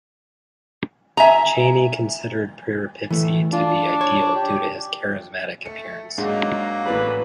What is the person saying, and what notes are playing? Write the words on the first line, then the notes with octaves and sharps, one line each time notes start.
Cheney considered Piripitzi to be ideal due to his charismatic appearance.
E5 G#5 A#5
E3 A3
D4 F4
C#5
G4
A3 C#7
G#2 F#3 G#3 A#3 D4 D#4 F5 F#5
A1 E3 A3 B4 D5 A#5